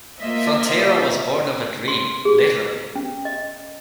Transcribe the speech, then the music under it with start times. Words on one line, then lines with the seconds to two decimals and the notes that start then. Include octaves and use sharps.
Fronteira was born of a dream, literally.
0.19 A#3 F4 C5 D#5 E5
1.88 C6
2.25 G#4
2.95 C#4
3.25 D#5